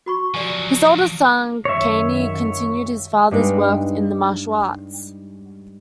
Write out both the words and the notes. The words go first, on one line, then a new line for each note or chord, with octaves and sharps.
His oldest son, Kanei, continued his father's work in the martial arts.
F#4 B5 C#6
F3 F#3 G4 D5 G#5
F#2 D#3 C#5 E5
G2 G3 G#3 D4 D#4